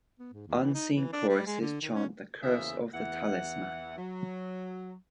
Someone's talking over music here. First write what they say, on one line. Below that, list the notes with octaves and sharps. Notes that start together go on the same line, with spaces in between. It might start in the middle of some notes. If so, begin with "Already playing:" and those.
Unseen choruses chant the curse of the talisman.
B3
G#2
D#2
E3
D#4
E3
D4
G3
G#3
D3
D#3
C#4
E2 C#3 A#3 G#4 C5 E5
E2 E3 F#5
F#3